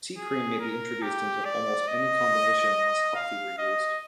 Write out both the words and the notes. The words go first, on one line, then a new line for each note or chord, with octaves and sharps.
Tea cream may be introduced into almost any combination unless coffee were used.
G#4
A#4
G4
D5
D#5
F5
D#5